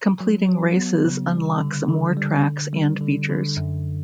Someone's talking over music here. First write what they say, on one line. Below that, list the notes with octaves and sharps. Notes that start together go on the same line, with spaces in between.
Completing races unlocks more tracks and features.
F#3
F#3
B3
C#3
G3
D3
D3
G3
D3
G3
D3
D3
F#2